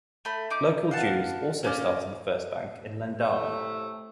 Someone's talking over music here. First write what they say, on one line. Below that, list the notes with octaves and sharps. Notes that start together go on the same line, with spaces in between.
Local Jews also started the first bank in Lendava.
A3 B5
D#4 D6
F5 F#5 A5
A#3 C#4 D5 F6
A2 C3 A3